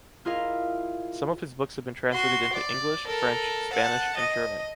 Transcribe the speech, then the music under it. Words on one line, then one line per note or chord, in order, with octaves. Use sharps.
Some of his books have been translated into English, French, Spanish and German.
E4 F4 G#4 A#4 D#5 F5
F#4 C6
D5
A4 A#4
F#5 A5
D#5